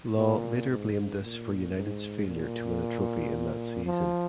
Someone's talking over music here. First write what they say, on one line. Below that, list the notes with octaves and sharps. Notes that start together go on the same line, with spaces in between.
Law later blamed this for United's failure to win a trophy in that season.
A#2
G#2
A#2
G#2
A#2
F3